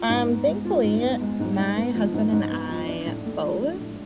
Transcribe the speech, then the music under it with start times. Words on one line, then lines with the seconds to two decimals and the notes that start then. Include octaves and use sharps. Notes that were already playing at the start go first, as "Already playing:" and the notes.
um, thankfully, my husband and I both
Already playing: F4
0.10 G#2
0.28 B3
0.47 G#3
0.65 F4
0.84 G#2
1.02 B3
1.21 G#3
1.40 G#2
1.58 G#2
1.76 B3
1.95 F3
2.14 G#2
2.32 G#2
2.51 B3
2.69 F3
2.87 D4
3.06 A2
3.25 A3
3.43 F3
3.62 D4
3.80 A2